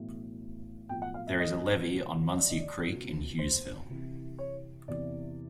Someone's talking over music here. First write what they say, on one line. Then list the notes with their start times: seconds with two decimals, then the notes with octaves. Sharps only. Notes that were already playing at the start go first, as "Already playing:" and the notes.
There is a levee on Muncy Creek in Hughesville.
Already playing: B1 A2 E3
0.89 B1 A2 F3 G5
1.02 F#5
1.14 F5
1.27 E5
1.39 D#5
1.89 C#2 B2
2.39 D5
2.49 D#5
2.60 D5
2.89 C#2 B2
3.39 C5
3.88 C2 C3 E3
4.38 C#5
4.88 E2 C3 E3 D5